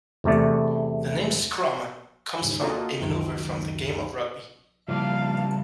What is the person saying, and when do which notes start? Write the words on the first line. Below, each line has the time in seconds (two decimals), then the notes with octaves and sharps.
The name "scrum" comes from a maneuver from the game of rugby.
0.24 E2 C3 A3 D5
2.41 D#2 G#2 C#3
2.60 A#3 D4 F4 F#4 A4 D#5
3.00 C#2 F#2 D#3 D7
4.88 C#3 F3 G3 A#3 E4 F5 A5